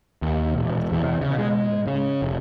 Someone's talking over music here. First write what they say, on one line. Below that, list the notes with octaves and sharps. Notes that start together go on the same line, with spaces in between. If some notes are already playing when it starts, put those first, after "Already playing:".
amongst the background, and
D#2
E1
E2
C#3
G#3
C#3
F1